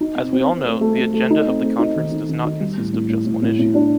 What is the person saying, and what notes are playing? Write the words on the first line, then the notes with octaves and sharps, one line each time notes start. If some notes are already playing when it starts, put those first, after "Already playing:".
As we all know, the agenda of the Conference does not consist of just one issue.
D#4
C4
C4
C4
A3
A3
A3
A3
D#4
C4
A3
D#4
D#3
D#3
D#3
D#4
G3
A2
A2
A2
A2
A2
A2
D4